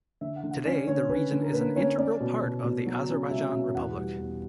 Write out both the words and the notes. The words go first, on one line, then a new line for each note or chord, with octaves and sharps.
Today the region is an integral part of the Azerbaijan Republic.
D3 E5
F#5
D3
F#5
C#4 D5
D3 C#5
C#4 B4
D3
A#4
A#3 B4
C#4 C#5
C#4 D5
B2
B2
B2
F#3
C#4
C#2 E5
B2
E2 F#5
G3
E2